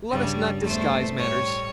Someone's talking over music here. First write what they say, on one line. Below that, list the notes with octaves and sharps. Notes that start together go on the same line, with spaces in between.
Let us not disguise matters.
G2 C#3 G3
E2 A3 C5
A2 G3 C#5